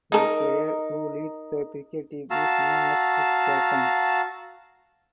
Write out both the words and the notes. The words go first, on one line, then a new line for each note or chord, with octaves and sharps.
A player who leads the cricket team is known as its captain.
D#4 A4 A#4
F#4 F5 A5 A#5 E6